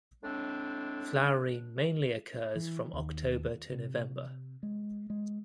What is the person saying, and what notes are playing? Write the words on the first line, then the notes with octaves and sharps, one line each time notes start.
Flowering mainly occurs from October to November.
A2 G#3 C4 D4
E3
D#2
C3
G#3
G#3